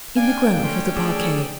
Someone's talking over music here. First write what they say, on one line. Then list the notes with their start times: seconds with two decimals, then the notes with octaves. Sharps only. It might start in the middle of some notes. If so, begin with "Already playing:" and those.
"In the grove of the parquet."
0.16 D4 F5 G5 G#5
0.63 A3 C#4 C6
0.95 G#4 D5 E6